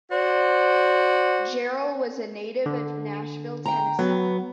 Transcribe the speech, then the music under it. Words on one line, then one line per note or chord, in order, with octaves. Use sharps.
Jarrell was a native of Nashville, Tennessee.
F#4 C5 D5
D3
G5 A#5
F#3 B3